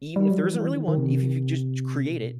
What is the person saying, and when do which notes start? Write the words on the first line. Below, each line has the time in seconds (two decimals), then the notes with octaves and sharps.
even if there isn't really one, eve if you just create it
0.16 G3
0.30 F#3
0.44 E3
0.71 D#3
0.88 D#3
0.98 C3
2.05 B2